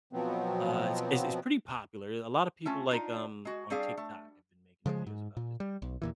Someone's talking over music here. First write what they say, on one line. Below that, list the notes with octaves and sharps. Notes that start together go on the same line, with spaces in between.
uh, it's it's it's pretty popular a lotta people, like, um, on TikTok have been making videos about this one,
B2 F3 F#3 B3 C4
A3 C#4 F4 A5
D4 D#4 F4
G#3 F#4
G3 C4 D4 G#4 F5
A3
C#3 F3 F#3 G#3
G#2
A#2
G3
B1
D#2 A#2 E3